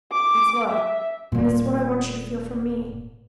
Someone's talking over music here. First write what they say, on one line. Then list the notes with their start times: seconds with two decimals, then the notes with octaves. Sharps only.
It's love, and it's what I want you to feel for me.
0.12 D6
0.69 E5
1.32 D#1 A#2